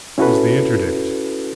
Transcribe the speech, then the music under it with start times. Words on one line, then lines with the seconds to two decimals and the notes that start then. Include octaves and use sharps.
It was the INTERDICT!
0.18 C#4 E4 F#4 A4 B4